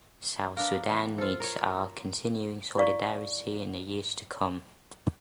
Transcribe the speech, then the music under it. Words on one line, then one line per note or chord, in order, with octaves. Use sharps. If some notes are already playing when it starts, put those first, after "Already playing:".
South Sudan needs our continuing solidarity in the years to come.
B3 D4 A#4 F5
E3
F4 A4 C5
A#4 C#5
E4 D5 F5 C#6